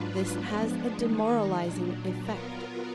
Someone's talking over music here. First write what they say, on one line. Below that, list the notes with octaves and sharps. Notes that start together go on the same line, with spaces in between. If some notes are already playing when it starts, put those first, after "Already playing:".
This has a demoralizing effect.
Already playing: G#2 F#3 D4 F4 B4
F3 G#3 B3 D4
D#3 G#3 D#4
A#2 F#3 D4
F#3 B3 F4 A#4